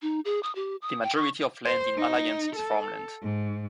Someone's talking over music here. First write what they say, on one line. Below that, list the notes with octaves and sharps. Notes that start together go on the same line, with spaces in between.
The majority of land in Alliance is farmland.
D#4
G#4
D#6
G4
D#6
G5
C#6
C5
D#4
A4
G#2